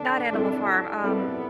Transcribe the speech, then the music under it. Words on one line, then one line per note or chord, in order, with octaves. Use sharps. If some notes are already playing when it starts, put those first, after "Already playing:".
not Animal Farm, um
Already playing: D3 A3 D4
G3 C4 E4 A4 D5
G3 B3 C4 E4 A4 D5